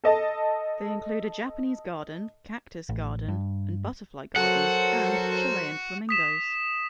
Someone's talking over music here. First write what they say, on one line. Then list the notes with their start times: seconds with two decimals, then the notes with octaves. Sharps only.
They include a Japanese garden, cactus garden, and butterfly garden, and Chilean flamingos.
0.04 A4 D#5 A5
2.89 A1
3.28 G2
4.36 F#3 F#4 A4 A#4 C5 F#5
6.09 D#6 B6 E7